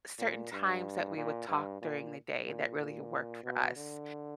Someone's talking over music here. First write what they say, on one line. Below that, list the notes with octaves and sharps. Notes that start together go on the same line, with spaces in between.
certain times that we would talk during the day that really worked for us.
A#2
G2
A#2
G2
A#2
A#2
A#2
B2
D3